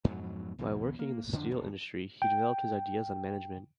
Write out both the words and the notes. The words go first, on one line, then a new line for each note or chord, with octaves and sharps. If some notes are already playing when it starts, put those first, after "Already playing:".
While working in the steel industry he developed his ideas on management.
F2 G#2 B2 F#3
B1 E2 B2
A#3
F2 D3 F3 D4
D#1
G5